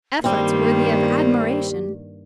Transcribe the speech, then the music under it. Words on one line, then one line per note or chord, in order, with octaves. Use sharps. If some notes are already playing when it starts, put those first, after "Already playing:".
Efforts worthy of admiration!
G2 D#3 G3 A#3 C4 G4